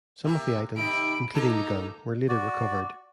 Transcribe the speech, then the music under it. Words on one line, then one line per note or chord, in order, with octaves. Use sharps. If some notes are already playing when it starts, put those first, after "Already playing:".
Some of the items, including the gun, were later recovered.
C3 A#3
D#2 C3 D#4 B5 D7
A#3 B3 D#4 A4 A#5
F#4 D5